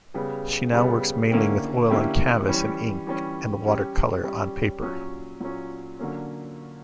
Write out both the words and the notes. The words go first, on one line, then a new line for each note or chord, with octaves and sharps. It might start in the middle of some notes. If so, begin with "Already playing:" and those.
She now works mainly with oil on canvas and ink and watercolor on paper.
C#3 G3 B3
C#3 G3 B3
D3 A#3 C#4 E4 G4
D3 A#3 C#4 E4 G4
E3 G3 C#4
E3 G3 C#4
G3 C#4 G4
G3 C#4 G4
A#2 F#3 C#4
A#2 F#3 C#4
D3 F#3 A#3 C#4